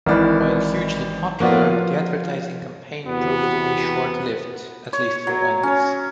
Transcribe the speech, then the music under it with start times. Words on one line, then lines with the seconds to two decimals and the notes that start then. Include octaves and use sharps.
While hugely popular, the advertising campaign proved to be short-lived, at least for Wendy's.
0.06 G#1 E3 A#4 B4 D5
1.40 F3 A#3 B3 F4 F#4 D5
1.71 F4
3.06 E2 C3 B3 F#4
4.93 C#5
5.27 F#3
5.63 C#4